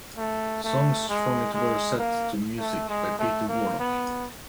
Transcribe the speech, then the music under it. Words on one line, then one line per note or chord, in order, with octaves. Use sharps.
Songs from it were set to music by Peter Warlock.
A3
A3
G#3
G#3
A#3
A3
G#3
A3
A#3
B3